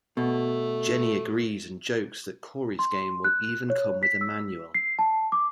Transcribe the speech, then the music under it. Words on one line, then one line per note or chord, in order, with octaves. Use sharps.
Jenny agrees and jokes that Corey's game will even come with a manual.
B2 A3
C6
F#6
C#5
B6
E6
C7
A5
D6